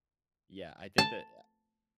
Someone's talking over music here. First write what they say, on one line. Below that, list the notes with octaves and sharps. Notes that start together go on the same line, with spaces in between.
Yeah, I think that a
A5